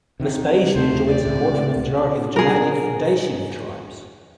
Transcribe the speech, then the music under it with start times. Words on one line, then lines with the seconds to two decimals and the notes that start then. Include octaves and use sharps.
Vespasian enjoyed support from the majority of the Germanic and Dacian tribes.
0.20 C3 D#3
0.75 D#2 D#3 A3 C5
1.08 D5
1.25 C#2 A2 C3
2.36 G#4 A#4